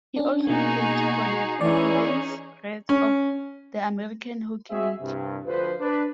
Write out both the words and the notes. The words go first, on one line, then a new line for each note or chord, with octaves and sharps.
He also played for the Providence Reds of the American Hockey League.
C#4 D4
B2 A#3 D#4 F#4 G#4
C7
E3 C#4 D#4 G#4 D5
C#4
G#3 C4 F#4 G#4 E5
C2 G2 C3
D2 F3 B4 C5
D4 B4